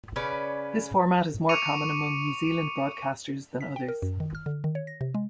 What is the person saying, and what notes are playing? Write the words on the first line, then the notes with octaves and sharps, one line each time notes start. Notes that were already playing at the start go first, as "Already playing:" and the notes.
This format is more common among New Zealand broadcasters than others.
C#3 C#4 B4 D5
C#6 D6 C#7 D#7 F7
B6
G5
A#4
F#2
D#3
F6
D3
D#3
C#5
A#6
C3
G#3